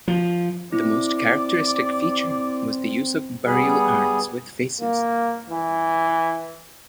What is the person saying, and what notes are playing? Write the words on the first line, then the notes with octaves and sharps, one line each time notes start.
The most characteristic feature was the use of burial urns with faces.
F3
C4 E4 D5 D6
G3 B3 G#4
A#3
E3